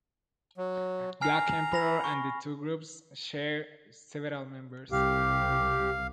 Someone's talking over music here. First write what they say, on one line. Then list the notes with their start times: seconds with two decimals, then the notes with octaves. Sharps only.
Black Emperor, and the two groups share several members.
0.58 F#3
1.21 G#5 A#5 F6 C7
1.73 B5 A#6 F7
2.04 C#6
4.92 C2 G4 F5